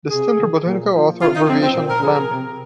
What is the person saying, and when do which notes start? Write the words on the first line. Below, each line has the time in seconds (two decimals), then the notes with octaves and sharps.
The standard botanical author abbreviation Lamb.
0.11 C3 G#4
0.38 D#3
0.66 A#2
0.94 F3
1.21 C3 F4
1.34 D#4
1.48 F3 C4
1.63 C4
1.75 A#2
1.89 A#4
2.02 F3 G#4
2.15 A#4
2.30 C3